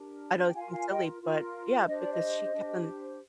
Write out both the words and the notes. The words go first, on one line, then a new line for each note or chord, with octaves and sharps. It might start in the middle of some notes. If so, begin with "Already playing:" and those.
I know it seems silly, but yeah, because she kept on
Already playing: D4 G4 A#4
G5
F4 A#4 F5 G#5
F5 G#5
D#5 G5
F4 A#4
D4 G4 C5 D#5
D5
D#5
D4 G4 C5